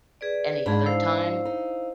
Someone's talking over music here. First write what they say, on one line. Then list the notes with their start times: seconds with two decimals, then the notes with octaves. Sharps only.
any other time.
0.21 G#4 B4 D5
0.66 G#2 D4 G#4 B5
0.86 E4 C5 F5
1.45 D#4